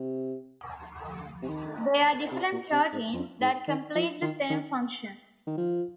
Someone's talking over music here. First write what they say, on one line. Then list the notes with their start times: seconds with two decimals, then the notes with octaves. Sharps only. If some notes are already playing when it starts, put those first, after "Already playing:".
They are different proteins that complete the same function.
Already playing: C3
1.42 C3
1.49 D#3
2.32 C3
2.52 A#2
2.71 C3
2.93 G#2
3.13 F2
3.40 G#2
3.67 D#3
3.95 F3
4.22 D#3
4.50 D#3
5.47 D#3
5.58 F3